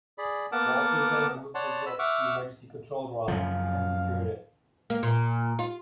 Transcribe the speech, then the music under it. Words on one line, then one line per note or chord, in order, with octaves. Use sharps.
Walter Zinn removed the zip, the emergency control rod, and secured it.
G#4 D5 B5
A#3 B3 A#4 F#5 A5 D6
C#5 D5 F#5 A5 C6
B5 E6
E5 F#5 C#6 D6 E6 F6
F#2 C#3 F3 F5
A#3
A#2
F4